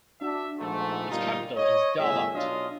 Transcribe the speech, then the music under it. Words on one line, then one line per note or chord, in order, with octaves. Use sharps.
Its capital is Da Lat.
D4 F#4 E5
A#1 G#2 A3
G1 A#2 G3 A#3 D#4 F4
C#5 D#5
G1 C2 A2 G#4 E5
B1 D4 F4 C#5 D#5 F5